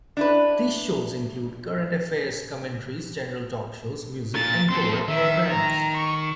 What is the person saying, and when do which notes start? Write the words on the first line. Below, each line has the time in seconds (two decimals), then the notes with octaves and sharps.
These shows include current affairs commentaries, general talk shows, music, and Torah programs.
0.17 D4 E4 B4
4.34 A#2 A6
4.71 C4 A4 C6
5.08 D#3 E5
5.51 A#5
5.97 C#6